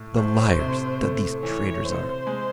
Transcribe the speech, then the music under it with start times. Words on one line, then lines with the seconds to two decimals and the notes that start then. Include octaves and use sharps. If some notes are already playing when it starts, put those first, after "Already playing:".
The liars that these traders are!'
Already playing: A2
0.17 A2 C5
0.59 C3
1.01 A3
1.43 E3 C#5
1.84 C3 C5
2.27 G#3